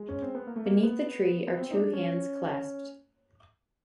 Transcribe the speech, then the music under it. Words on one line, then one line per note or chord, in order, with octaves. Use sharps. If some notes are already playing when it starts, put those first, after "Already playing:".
Beneath the tree are two hands clasped.
Already playing: G#3
C#4
C4
B3
A#3
A3
A#3
B3
B3
C4
D#4
D4
C#4